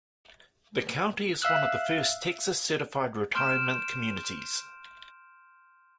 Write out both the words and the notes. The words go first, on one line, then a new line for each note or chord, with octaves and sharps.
The county is one of the first Texas Certified Retirement Communities.
E5 F5 E6 F#6
C6 F6 G6 D7 E7